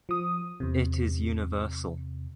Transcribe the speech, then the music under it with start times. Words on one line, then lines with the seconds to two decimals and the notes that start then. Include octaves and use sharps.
It is universal.
0.09 F3 D#6
0.60 E2 C3